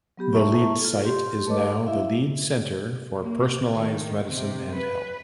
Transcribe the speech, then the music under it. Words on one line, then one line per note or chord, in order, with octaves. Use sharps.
The Leeds site is now the Leeds Centre for Personalised Medicine and Health.
F#3 B3 G4 B5
E4 E5 A5 A#5 C#6
F4 A4
G4 C6
A3 A4 B4 C#5 D#5 D6
E4 E5 F5
A#3
D#3
C3
B4